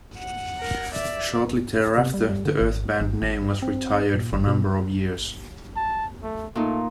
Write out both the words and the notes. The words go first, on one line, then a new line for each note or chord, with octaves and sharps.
Shortly thereafter, the Earth Band name was retired for a number of years.
F#5
A#4
D5 E5
C3
G3
G3
D3
G#1
G#1
G#1
C4
A#2
G#1
B2
A5
A3
A#2 A3 D#4